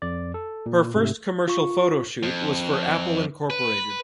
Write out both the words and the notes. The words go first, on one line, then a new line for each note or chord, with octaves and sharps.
Her first commercial photo shoot was for Apple Inc.
F2 D5
A4
A#2
G#2 C3 A3
F4 C#6
F2
B4